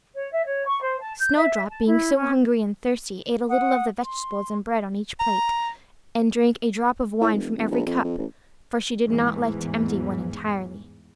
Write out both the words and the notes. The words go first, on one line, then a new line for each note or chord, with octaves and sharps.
Snowdrop being so hungry and thirsty, ate a little of the vegetables and bread on each plate, and drank a drop of wine from every cup, for she did not like to empty one entirely.
C#5
E5
C#5
C#6
C5
A5
G6
E5
A5
E4
C#4
F#5 D#6
C6
A#5
A2
F1
E1
A#1
F2
F2
A1
A1 E2 G#2 E3